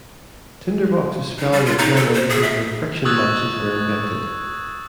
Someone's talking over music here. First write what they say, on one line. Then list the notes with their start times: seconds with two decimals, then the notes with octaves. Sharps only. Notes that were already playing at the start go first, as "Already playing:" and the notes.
Tinderboxes fell out of general usage when friction matches were invented.
1.38 D#4
1.52 G3
1.66 F4
1.78 D#4
1.96 A4
2.14 C5
2.29 G#4
2.43 E5
3.05 C#6 D#6 E6 F#6 G#6 A6